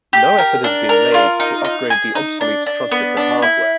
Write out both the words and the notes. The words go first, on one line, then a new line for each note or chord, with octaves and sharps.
No effort has been made to upgrade the obsolete transmitter hardware.
G4
A#4
D4
A#4
F4
D#4
D#4
G#4
D#4
D4
D4
B3
D4
E4